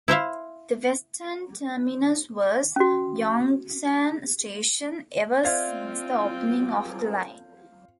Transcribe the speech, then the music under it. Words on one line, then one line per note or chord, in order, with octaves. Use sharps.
The western terminus was Yongsan Station ever since the opening of the line.
E4 C5 E5 F5
C#4 F#4
C4 F4 C5 D5 E5 F5 G#6